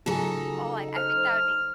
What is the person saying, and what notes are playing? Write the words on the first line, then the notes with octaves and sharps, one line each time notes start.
Oh, I I think that would be
C#3 F#3 D#4 F4 G#4 A4 G#5
C5 F6